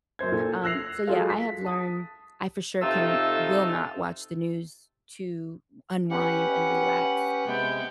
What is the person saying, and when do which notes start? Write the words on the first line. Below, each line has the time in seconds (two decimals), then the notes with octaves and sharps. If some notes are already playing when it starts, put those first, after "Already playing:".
um, so yeah, I have learned I for sure can will not watch the news to unwind and relax,
0.19 F#2 A#3 C5 G#6
0.32 A#2 A4
0.64 E6 F#6 A#6 C7 F7
1.07 F#3 G#3 F4 G#4 A4 F5
1.30 B6
1.65 A5 D#6
2.81 C3 A3 D#4 F4 A4 E6
6.10 C#4 G4 B4 F#5
7.47 C3 G#3 B3 G5